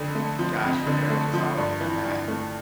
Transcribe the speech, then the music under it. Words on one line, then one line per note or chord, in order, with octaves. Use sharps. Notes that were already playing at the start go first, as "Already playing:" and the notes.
Gosh, we're gonna just all get fat.
Already playing: F2 D3
A3
F3
F2
D3
A3
F3
G2
E3
G2
A3